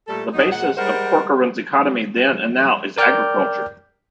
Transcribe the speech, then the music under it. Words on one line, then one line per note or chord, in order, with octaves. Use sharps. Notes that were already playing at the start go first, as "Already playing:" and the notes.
The basis of Corcoran's economy then and now is agriculture.
A#2 G3 A3 A4
D#2 F#3 D#4
A#2 G#3 F#5
G3 G#3 A#4 C5 F#5
A#4 D5 G5 D6 F6 G6